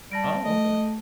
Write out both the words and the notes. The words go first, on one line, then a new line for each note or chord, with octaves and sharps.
Oh, okay.
G3 A5 A#6 D7
A3 D#5